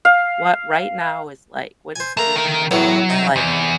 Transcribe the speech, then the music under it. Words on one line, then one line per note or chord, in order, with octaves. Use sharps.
what right now is like, what is this moment like
F5
C5 G#5
F3 A3 A#3 A#5
D#3 A#4
E2 A2 F#3 B4
C3 D#4
E2